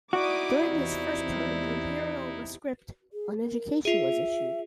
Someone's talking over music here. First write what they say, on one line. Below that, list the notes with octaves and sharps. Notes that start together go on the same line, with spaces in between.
During his first term, the "Imperial Rescript on Education" was issued.
D#4 E4 F#4 D5 D6 D#6
E2 C3
G#4
A#4
F4 G#4 E5